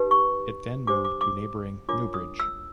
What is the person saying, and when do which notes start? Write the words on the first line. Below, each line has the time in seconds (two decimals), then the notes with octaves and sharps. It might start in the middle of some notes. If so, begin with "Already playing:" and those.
It then moved to neighbouring Newbridge.
Already playing: D#4 G4 B4
0.11 C#6
0.87 D4 G4 C5 D6
1.05 D6
1.21 D6
1.89 D4 F4 A#4 C#5 D6
2.14 D#6
2.40 E6